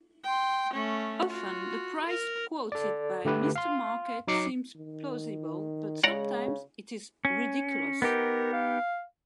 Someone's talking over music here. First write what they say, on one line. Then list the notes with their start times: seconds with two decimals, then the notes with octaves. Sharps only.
Often, the price quoted by Mr. Market seems plausible, but sometimes it is ridiculous.
0.24 G5 C6
0.74 A3 C#4
1.29 F4 F#4
2.06 A#4
2.72 A4 D5
3.25 D3 A3 G4 B4
3.56 F5 C6
4.28 F#3 D#4 D6 C7 C#7
4.76 D#3
6.04 C#3 G#3 D5 F#5 A#5
7.25 C#4
8.02 B3 D#4 G4 A#4
8.53 F5